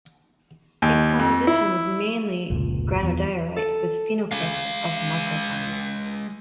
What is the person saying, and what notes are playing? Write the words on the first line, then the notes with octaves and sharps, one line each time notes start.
Its composition is mainly granodiorite with phenocrysts of microcline.
D#2
F2
E4
F1 C#2 A#2
E2
A4
G#3 F5